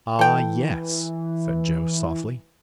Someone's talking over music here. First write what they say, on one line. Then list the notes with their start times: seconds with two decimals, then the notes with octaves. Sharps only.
"Ah, yes," said Joe, softly.
0.19 E3 A4 G5